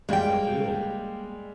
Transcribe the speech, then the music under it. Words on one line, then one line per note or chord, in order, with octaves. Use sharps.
He felt ill.
G3 G#3 A#3 G5